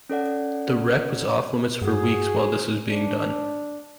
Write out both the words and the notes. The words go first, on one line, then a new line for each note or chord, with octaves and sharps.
The wreck was off limits for weeks while this was being done.
C#4 A4 D5 F#5
G2 F#4 G#4
D4